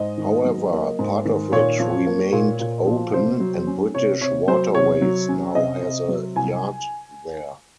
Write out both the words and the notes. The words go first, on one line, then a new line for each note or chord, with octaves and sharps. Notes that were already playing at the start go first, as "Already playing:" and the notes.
However, part of it remained open and British Waterways now has a yard there.
Already playing: G#2 D#5
D#3
F#3
A#3
G#2
D#3
A#2 C#5
F3
A#3
A#2
A#2
F3
C3 C5
F#3
C#4
C3 C#5
C3 C#5
F#3 C5
C3 C#5
F#3
C#4
C3 D#5
C3
F#3
C2 G#5